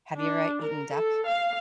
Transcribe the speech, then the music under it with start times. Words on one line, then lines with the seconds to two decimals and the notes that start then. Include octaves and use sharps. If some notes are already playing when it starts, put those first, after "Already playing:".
Have you ever eaten duck?
0.17 D4
0.62 A#4
0.94 A4
1.27 F5